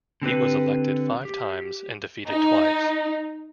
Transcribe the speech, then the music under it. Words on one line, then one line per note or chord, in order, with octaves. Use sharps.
He was elected five times and defeated twice.
D3 C4 G4 B4
G4
D#4